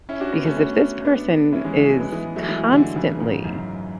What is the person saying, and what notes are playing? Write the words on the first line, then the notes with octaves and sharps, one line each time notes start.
because if this person is constantly
C#4 E4
D4 F#4
B3 D4
A3 C#4
A3 C#4
B3 D4
C#4 E4
E3 G#3
E3 G#3
F#3 A3
G#3 B3
E3 G#3
F#3 A3
E3 G#3
D3 F#3
C#3 E3
G#2
F#2